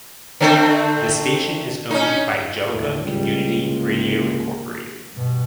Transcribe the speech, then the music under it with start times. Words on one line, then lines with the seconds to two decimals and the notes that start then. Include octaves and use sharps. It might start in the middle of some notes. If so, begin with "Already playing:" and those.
The station is owned by Angelica Community Radio Inc.
0.40 D3 A3 C4
1.91 C#4 D#4
2.71 D#2 A2
3.02 C#2 G3
3.60 C3 A#3
5.13 G2 B2